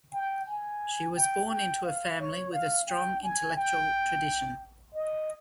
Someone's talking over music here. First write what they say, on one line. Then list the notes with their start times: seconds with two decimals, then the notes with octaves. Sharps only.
She was born into a family with a strong intellectual tradition.
0.13 G5
0.47 G#5
1.16 G5
1.49 G5
1.85 F5
2.19 C#5
2.53 F5
2.88 G5
3.23 G#5
3.56 G5
4.95 D#5